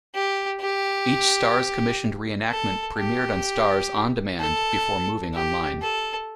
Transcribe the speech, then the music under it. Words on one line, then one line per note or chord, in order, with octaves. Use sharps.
Each Starz-commissioned re-enactment premiered on Starz on Demand before moving online.
G4
G4
A4
G4
A4
G4
A4